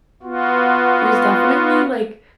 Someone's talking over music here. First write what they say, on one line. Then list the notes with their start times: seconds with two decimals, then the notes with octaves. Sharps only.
There's definitely, like,
0.23 B3 F4 F#4